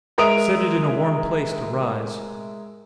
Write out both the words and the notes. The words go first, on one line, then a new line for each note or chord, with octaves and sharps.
Set it in a warm place to rise.
G#3 A#4 E5 D#6 D7 F7